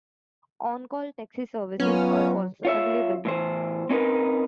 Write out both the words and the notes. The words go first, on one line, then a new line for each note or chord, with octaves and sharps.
On-Call taxi services are also available.
F#3 B3 C#4 F4 C#5
F4 C#5 E5
A2 E3 C5
C4 C#4 D#4 A#4 B4